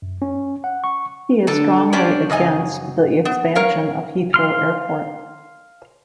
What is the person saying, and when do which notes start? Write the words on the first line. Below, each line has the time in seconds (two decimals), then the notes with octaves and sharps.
He is strongly against the expansion of Heathrow Airport.
0.02 F#2
0.22 C#4
0.64 F#5
0.84 C#6
1.47 D3 A4
1.93 C#4 D4 G4 C5 D5
2.30 F#2 C#3 D#5 G#5
3.25 B3
3.55 A#4 C#5 F5
4.34 F5 C6 F6